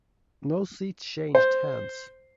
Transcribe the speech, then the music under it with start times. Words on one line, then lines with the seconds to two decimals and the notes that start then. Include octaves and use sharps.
No seats changed hands.
1.35 C5